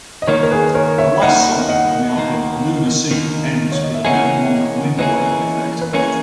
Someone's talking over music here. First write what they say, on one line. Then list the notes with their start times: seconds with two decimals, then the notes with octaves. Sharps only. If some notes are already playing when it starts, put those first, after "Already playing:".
The last song on the album, "Lunar Sea", ends with a minute-long wind-blowing effect.
0.22 D#5
0.27 D#2 D#3 A#3 A#4 C#5
0.43 A#4
0.51 G#4 B4
0.75 A#4 C#5
0.98 C#5 E5
1.22 D#2 D#3 A#3 D#5 F#5
1.69 D#5 F#5
2.16 D#2 D#3 A#3
3.11 D#2 D#3 A#3
3.72 C#5
3.83 D#5
3.94 E5
4.05 E3 A#3 C#4 G#4 D#5 F#5
4.99 E3 A#3 C#4 G#4 B4 D#5
5.81 B4
5.93 E3 A#3 C#4 G#4 A#4 C#5